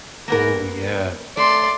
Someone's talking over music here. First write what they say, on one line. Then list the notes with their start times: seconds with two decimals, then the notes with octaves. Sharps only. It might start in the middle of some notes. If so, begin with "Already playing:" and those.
Ooh, yeah.
0.28 A#3 B3 A#4
1.37 A3 D5 C6